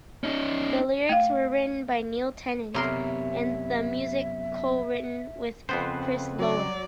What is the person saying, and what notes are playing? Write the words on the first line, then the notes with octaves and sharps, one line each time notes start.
The lyrics were written by Neil Tennant and the music co-written with Chris Lowe.
C#4 D#4
A3 F5
F#2 C3 B3 A#4 C#5 E5 C6
F2 C#3 B3 C4 B4 C5
F#3 D5